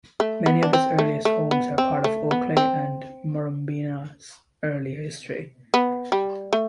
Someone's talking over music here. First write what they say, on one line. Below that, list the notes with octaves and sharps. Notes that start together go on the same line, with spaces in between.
Many of its earliest homes are part of Oakleigh and Murrumbeena's early history.
A3
B3
D4
C4
A3
A3
B3
C4
A3
B3
C4
B3
G3
A3